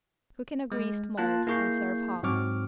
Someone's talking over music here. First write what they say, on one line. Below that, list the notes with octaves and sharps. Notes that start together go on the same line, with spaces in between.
Cook in a greased mold and serve hot.
G#3
A#3 F4 A5 F#6
A#3 E4 G#4 C#6 G6 C7
G#2 F#3 C4 C#6 D6 F6